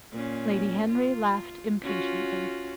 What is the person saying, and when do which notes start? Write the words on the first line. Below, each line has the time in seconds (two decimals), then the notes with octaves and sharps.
Lady Henry laughed impatiently.
0.11 A#2 C#4
0.89 F4
1.82 C#4 F4 F#4